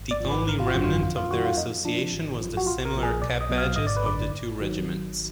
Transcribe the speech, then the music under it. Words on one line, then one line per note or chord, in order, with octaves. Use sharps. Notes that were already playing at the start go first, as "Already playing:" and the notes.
The only remnant of their association was the similar cap-badges of the two Regiments.
Already playing: G#1
D5
G#2 F3
B4
G#1 A#4
F4
F#4
F#2 D3 F#3
F4
F2 F4
F4
D#3 F#3 F#4
F4
F2 D#4
F3 D4
G#1
F#2 F3
F#4
A#1 F4
A#4
A#2 F3
G#4
B1 D5
D#5
B2 F#3
F5
G#1 D#5
D5
B4
F#2 D3 D5
G#1
D#3 F#3